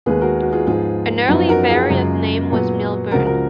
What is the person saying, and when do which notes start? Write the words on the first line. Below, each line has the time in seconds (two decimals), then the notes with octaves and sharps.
An early variant name was Millburn.
0.06 D#2 D#3 G#3 B3 G#4 B4
0.21 F#4 A#4
0.42 F#4
0.52 F4 G#4
0.67 G#2 F3 B3 F4 G#4
1.28 F#2 F3 B3 D#4 F#4
1.48 F#4 A#4
1.70 F4 G#4
1.90 F#2 C#3 G#3
2.50 A#2 F#3 B3
3.11 C#2 C#3 F3 F#4 A#4
3.26 F#4 A#4